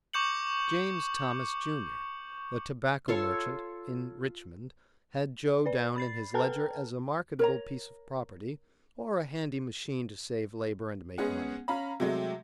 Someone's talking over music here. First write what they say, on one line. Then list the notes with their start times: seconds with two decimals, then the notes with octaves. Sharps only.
James Thomas, Jr., a tobacco merchant, in Richmond, had Joe down in his ledger as a marketable piece of property, or a handy machine to save labor, and make money.
0.14 C#6 D6 G6 C#7 F#7
3.08 F4 A4 C#5
5.66 B4 D5
5.96 B5 A6 C7
6.34 A4 B4 G5 A5 A#5 F6
7.39 A#4 C#5 A#5
11.18 G#3 B3 C#4 G#4 F#5
11.68 C#4 F5 A#5 B5
12.00 C3 F#3 G#3 A3